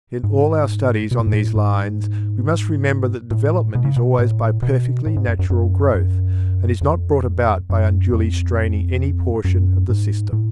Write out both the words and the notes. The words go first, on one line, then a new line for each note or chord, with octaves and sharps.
In all our studies on these lines we must remember that development is always by perfectly natural growth and is not brought about by unduly straining any portion of the system.
G#2
B2
A2
G#2
A2
G#2
A2
B2
C#3
B2
A2
B2
A2
G#2
F#2
F#2
F#2
F#2
F2
F#2
F2
F#2
G#2
A2